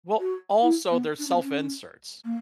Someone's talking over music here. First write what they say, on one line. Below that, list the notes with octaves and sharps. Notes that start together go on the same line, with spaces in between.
Well, also they're self-inserts,
F#4
E4
B3
D4
C#4
B3
C#4
A#3